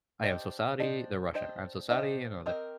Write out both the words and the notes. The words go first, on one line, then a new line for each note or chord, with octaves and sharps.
"I am so sorry."- They're Russian.- "I'm so sorry." You know that
D4 G4 C5 D#5
D4 G4 C5 D#5
D4 G4 C5 D#5
D4 G4 C5 D#5
C4 G4 A#4 D#5